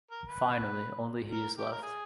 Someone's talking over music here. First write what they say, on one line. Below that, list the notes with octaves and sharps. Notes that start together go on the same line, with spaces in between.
Finally, only he is left.
A#4
B4
A#4
G4
A#4
G#4